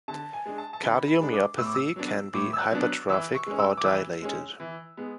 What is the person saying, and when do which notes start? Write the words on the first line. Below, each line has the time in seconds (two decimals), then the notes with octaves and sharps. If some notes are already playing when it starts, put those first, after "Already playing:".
Cardiomyopathy can be hypertrophic or dilated.
0.08 D3 A5
0.33 G#5
0.46 G#3 D4
0.58 A5
0.73 A5
0.83 D3 B5
1.08 B5
1.21 G#3 D4
1.33 D6
1.58 A2 E6
1.66 D6
1.75 E6
1.96 F#3 B3 D4
2.34 A2 D6
2.53 E6
2.59 F#6
2.72 F#3 B3 D4
2.84 F#6
3.09 E3 E6
3.35 C#6
3.46 G#3 C#4
3.59 E6
3.77 D6
3.84 E3 E6
4.22 G#3 C#4
4.60 E3
4.97 G#3 B3